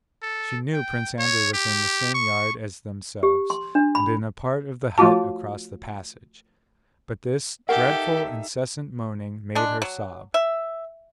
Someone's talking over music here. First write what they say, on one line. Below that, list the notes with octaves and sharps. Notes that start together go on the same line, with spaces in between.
She knew Prince Andrew was in the same yard as themselves and in a part of the hut across the passage; but this dreadful incessant moaning made her sob.
A4
G5
C#5
G4
C#6
G4
C6
D4
B5
F3 A3 F4 F#4 A5
D#4 G4 A4 A#4 E5 F#5
G#3 D4
F#3
E5